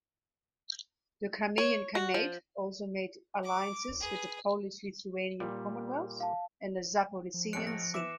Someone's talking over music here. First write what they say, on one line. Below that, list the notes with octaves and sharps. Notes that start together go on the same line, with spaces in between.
The Crimean Khanate also made alliances with the Polish-Lithuanian Commonwealth, and the Zaporizhian Sich.
C#5
F#4
F3
D6
G#4 B4
A#2 G3
F5 A5
F3
G#1 A2 G#3 F#6 C#7 D7
A#6
E3 E5 D6 E7